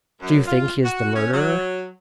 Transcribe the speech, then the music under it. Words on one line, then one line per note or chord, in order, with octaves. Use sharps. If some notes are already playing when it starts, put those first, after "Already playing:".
"Do you think he is the murderer?"
F#2
F4
F#4
C#4
F#3